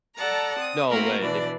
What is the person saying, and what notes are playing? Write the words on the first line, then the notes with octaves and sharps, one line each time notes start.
No way, they
A4 D5 F#5 A5 A#5
C4 D#6
A3 A#3 C4 F#4 A#4 B4
B2 E3 D4 D5